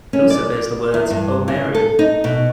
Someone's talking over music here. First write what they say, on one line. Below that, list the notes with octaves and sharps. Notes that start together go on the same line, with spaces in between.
It also bears the words, O Mary!
C#4
D5
E2
G2
C#3
A4
D#4
B2